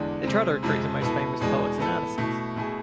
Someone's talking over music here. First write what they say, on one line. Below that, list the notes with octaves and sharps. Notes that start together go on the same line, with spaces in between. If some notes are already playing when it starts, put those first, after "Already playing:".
They tried to recruit the most famous poets and artisans.
Already playing: E2 D3 G#3 D4
C3 G#3 C4
F2 C3 F3 G#3
B2 B3 E4 A4
E2 B2 G#3 D4 G#4
A2 E3 B3 E4 A4
B2 A3 E4
B2 A3 E4 G#4